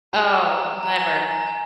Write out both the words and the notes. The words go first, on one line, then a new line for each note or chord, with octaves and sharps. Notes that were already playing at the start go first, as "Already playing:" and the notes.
Oh, never.
C6
A#5
A#5
G#5
A#5
G#5
A#5
G#5